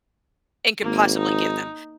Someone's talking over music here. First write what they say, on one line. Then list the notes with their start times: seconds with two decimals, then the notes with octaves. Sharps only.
and could possibly give them.
0.82 G#1 A#3
1.18 D#4